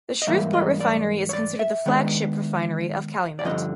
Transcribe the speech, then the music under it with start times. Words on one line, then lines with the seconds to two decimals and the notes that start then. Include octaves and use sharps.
The Shreveport Refinery is considered the flagship refinery of Calumet.
0.22 D#5
0.27 G#2 E3 G3 A#3 E5
0.53 D#5
0.80 D5
1.29 C#5
1.33 D5
1.59 E5
1.86 D#3 G#3 B3 D4
3.39 D5
3.45 G2 D3 F3 D#5